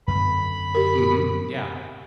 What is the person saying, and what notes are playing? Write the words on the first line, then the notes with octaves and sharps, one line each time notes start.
Mhm. Yeah.
F#2 D3 B3 B5
G4 A#4